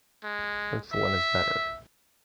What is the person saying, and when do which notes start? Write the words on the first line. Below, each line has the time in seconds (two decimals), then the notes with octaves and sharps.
Which one is better?
0.24 G#3
0.92 E5